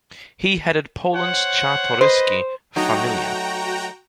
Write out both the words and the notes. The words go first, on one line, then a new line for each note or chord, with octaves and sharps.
He headed Poland's Czartoryski "Familia".
C5 C#5 F#5
B4 C5 D#5
F#3 A3 D#4 F#4 G5 A#5